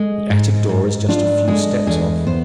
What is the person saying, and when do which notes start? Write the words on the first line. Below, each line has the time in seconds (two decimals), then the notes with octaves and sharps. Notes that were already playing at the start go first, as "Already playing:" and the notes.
The attic door is just a few steps off.
Already playing: G#3
0.30 G#2
0.69 G#2
1.09 D4 F4
1.48 G#3 G#4
1.87 E2 G#4
2.26 B3 C5